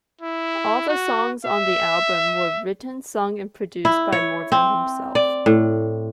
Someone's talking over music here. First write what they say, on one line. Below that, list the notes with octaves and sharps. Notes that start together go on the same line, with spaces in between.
All the songs on the album were written, sung and produced by Morvan himself.
E4
F#4
E5
E4
C#5
C4
D5
A2